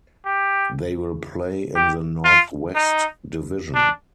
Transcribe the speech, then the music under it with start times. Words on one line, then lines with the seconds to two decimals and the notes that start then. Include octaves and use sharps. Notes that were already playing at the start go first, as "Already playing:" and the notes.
They will play in the Northwest Division.
0.26 G4
1.76 G4
2.25 F4
2.75 D#4
3.75 D4